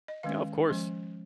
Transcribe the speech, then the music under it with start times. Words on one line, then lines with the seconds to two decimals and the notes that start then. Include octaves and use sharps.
No, of course.
0.08 D#5
0.23 D#3 G#3 C#4 F5
0.70 F3 G#3 C#4